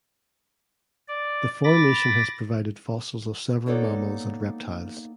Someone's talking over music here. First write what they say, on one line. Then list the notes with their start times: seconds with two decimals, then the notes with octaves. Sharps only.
The formation has provided fossils of several mammals and reptiles.
1.08 D5
1.64 B5 D6 A6 A#6
3.66 A#3 B3 D#4 A4 C#5 D5